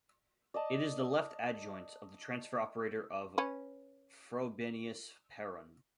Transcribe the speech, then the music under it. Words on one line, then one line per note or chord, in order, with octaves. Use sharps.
It is the left-adjoint of the transfer operator of Frobenius-Perron.
D5 D#5 A5
C#4 B4